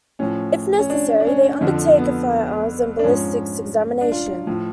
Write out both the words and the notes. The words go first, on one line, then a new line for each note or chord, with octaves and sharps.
If necessary, they undertake a firearms and ballistics examination.
A2 F3 C#4
C#4
D4
D4
C#4
F2 D3 F3
B3
D4
G#2 F3 C#4
D4
F4
A2 F3